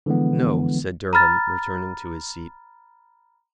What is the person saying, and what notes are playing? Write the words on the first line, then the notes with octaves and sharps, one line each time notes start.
"No," said Durham, returning to his seat.
D3 E3 F3 G#3 B3
A#5 B5 F6 A6